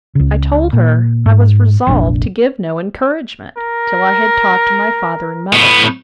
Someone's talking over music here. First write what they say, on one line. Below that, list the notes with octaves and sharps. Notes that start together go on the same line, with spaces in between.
I told her, I was resolved to give no encouragement, till I had talked to my father and mother.
C#2 C#3
A#2
G#2
F1 A#1 C4 D4
A#4
A2 B3